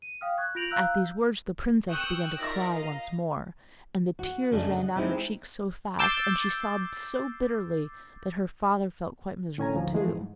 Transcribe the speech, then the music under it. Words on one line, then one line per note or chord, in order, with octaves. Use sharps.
At these words the princess began to cry once more, and the tears ran down her cheeks so fast, and she sobbed so bitterly, that her father felt quite miserable too.
D#7
F5 G5 D#6 F6
C#6 F#6 G#6
F4 G6 A#6 D7 F7 F#7
F5 A#5 E6 F#6 G6
G5 C#6 D#6 E6 F#6 G6
D#4 F4 A#4 D5 E5 A#6
D#5 F5 A#5
F#4
F#2 C#3 A3 D4 A#4 D#5
D#5 F#5
G#3 C4 D#4 E4 G4
D6 E6 G6 A6 C7
A2 C#4 G#5 A#5
D2 F3
E3 F3 G#3 A3 G#4
G#2